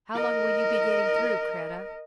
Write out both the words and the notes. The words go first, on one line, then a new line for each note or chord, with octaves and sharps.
"How long will you be getting through, Kreta?"
A#4 D#5